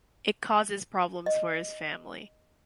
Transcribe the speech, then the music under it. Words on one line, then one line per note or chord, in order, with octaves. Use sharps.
It causes problems for his family.
D#5